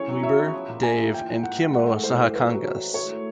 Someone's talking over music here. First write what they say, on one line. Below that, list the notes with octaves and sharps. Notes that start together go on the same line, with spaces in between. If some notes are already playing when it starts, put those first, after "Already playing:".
Weber, Dave, and Kimmo Sahakangas.
Already playing: F#2 C#3 E3 C#5
F#3
F#3 E5
B3
F3
A#3
A#3 G#5
F3
E3 G5
E3
G#2 F#5
G#2
A3 F#5
E3
G2 C5
G2
F#3 B4
F#3
D#3
F#3
A2 C#5
A3